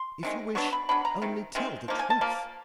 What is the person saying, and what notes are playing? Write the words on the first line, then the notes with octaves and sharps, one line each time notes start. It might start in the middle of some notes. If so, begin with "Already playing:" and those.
"If you wish--only tell the truth."
Already playing: C6
C3 D#3 G#3
F#3 B3 D4 C#6
B5
F#3 B3 D4 B5
A#5
C3 D#3
C3 D#3 G#3 C4
F3 A#3 D#4
G#5
A5
F3 A#3